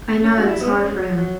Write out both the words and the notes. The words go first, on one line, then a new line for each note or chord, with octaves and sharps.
I know it is hard for him.
C#4
F#4
E4
B3
C#4
G#3
F#3
F#3